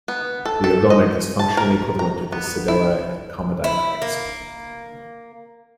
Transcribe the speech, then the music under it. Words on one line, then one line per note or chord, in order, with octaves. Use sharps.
The ogonek is functionally equivalent to the cedilla and comma diacritics.
B3
A4
A4
D#5
A5
A#4
A#5
B3
E4
E4
A#3